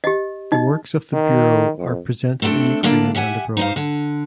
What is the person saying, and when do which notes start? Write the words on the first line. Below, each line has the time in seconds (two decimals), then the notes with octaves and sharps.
The works of the bureau are presented in Ukraine and abroad.
0.04 G4 D#5
0.52 D#4 D#5
1.13 D#3
1.78 F2
2.42 A3 B3 C4 D4 A4
2.83 D3 A#3 D4 F4
3.15 G4 E5 F#5 G#5
3.57 D#4 C5 F5
3.76 D3